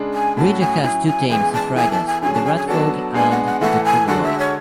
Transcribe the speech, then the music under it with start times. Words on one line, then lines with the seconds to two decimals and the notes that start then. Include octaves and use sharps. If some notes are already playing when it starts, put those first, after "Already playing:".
Regia has two teams of riders: "The Radfolc" and "The Conroi".
Already playing: C#3 G#3 D4
0.14 G#5
0.37 A2 F#3 C#4 F#4 A5
0.60 G#5
0.83 F#3 C#4 E4 G#5
1.06 G#5
1.28 C#3 E3 G#3 B3 G#5
1.53 A5
1.75 E3 B3 E4 A4 G#5
1.91 A5
2.06 G#5
2.22 D3 F#3 C#4 G#4 G#5
2.33 A5
2.45 G#5
2.56 G#5
2.67 F#3 B3 D4 F#4 A4 A5
3.14 G#3 B3 D4 G#4 G#5
3.30 F#5
3.46 F#5
3.61 A2 E3 A3 E4 A4 F#5
3.84 G#5
4.07 D3 G#3 D4 F#4 A4 F#5
4.23 E5
4.38 C#5